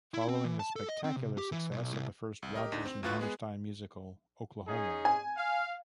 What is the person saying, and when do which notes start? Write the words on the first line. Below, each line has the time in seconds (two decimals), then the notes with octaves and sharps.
Following the spectacular success of the first Rodgers and Hammerstein musical, Oklahoma!
0.14 E4
0.28 C4
0.45 E3
0.60 A5
0.76 A4
0.89 D#5
1.04 C4
1.17 C3
1.38 G4
1.52 E3
1.71 B1
1.94 C2
2.43 C2
2.55 G4 A#4 D#5
2.72 D2 D4 D#4
2.85 C4
3.03 D2 A2 F4 B4 C#6 F#6
3.19 G#3 B3 G#4
4.67 C#4 D#4 G#4
5.05 G#5
5.36 F5